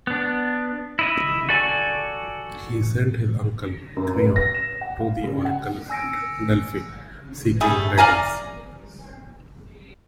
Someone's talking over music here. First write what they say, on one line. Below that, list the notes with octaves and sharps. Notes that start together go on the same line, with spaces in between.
He sent his uncle, Creon, to the Oracle at Delphi, seeking guidance.
B3 D4
E4 D#5 E5
F#4 A4 D5 G#5 C#6
F#2
B4
A#6
E7
F#5
F5
C#3
F#5
G#5 E6 A#6 C#7 D7
G3 A3 G#4
D5 F5 G#5 A#5